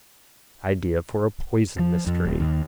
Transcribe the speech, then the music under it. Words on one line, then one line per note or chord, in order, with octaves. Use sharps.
Idea for a poison mystery.
F3
F2
D#1
D#2